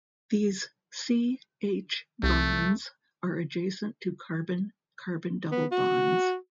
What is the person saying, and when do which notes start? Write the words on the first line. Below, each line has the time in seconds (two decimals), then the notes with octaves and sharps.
These C-H bonds are adjacent to carbon-carbon double bonds.
2.23 C2 A3
5.52 B3
5.72 F#4